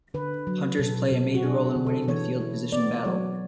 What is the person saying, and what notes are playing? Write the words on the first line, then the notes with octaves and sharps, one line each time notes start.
Punters play a major role in winning the field position battle.
D3 B4
F#3
B2 A4
B2 F#4
F#4
D4 G#4
G#4
D3
A4
E3 C#5
E4
B3 D5
F#3 C#5